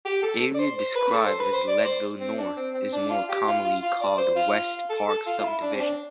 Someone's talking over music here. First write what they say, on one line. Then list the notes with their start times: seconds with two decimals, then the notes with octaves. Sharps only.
The area described as Leadville North is more commonly called the West Park subdivision.
0.05 G4
0.23 A4
0.54 D5
0.59 C5
0.78 C5
0.95 B4
1.13 A4
1.26 C5
1.40 B4
1.53 C5
1.68 D5
1.85 C5
2.20 C4
2.38 D4
2.57 C4
2.74 C4
2.93 D4
3.10 F4
3.29 G4
3.47 F4
3.65 F4
3.82 F4
4.01 D5
4.18 C5
4.36 F4
4.90 A4
5.08 A4
5.26 F4
5.39 F4
5.44 E4
5.62 D4
5.73 C4
5.80 D4